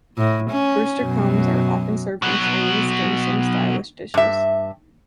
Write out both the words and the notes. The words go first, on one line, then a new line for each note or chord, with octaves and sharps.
Rooster combs are often served in Chinese dim sum style dishes.
A2
C#4
F#2 B2
B2 F#3
G2 E5